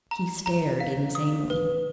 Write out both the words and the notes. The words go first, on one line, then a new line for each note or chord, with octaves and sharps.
He stared insanely.
A#5
A#5
F5
D#6
B4